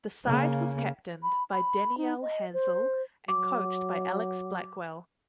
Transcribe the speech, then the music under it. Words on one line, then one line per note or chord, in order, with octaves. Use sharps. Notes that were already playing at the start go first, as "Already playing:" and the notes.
The side was captained by Danielle Hazell and coached by Alex Blackwell.
C#3 A#3
B5
B5
D#4
D#5
C5
F#3 D6